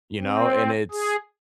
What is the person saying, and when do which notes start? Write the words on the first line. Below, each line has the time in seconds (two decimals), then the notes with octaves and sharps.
you know? And it's
0.20 C4
0.91 G#4